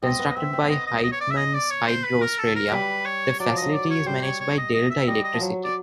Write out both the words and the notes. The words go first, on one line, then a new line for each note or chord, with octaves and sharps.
Constructed by Heidemann Hydro Australia, the facility is managed by Delta Electricity.
C4 D#5
B3
C4 E5
C4
B3 D#5
D#5
D#5
C#5
D5
E5
D#5
D5
C#5
C5
B4
A#4
A4
A#4
G3 B4
C#5
F#3 D5
F3
D#5
F#3
D5
C#5
G3 C5
C#5
C#5
D#5
D#5
E5
G3 D#5
D#5
F3
F#3
D5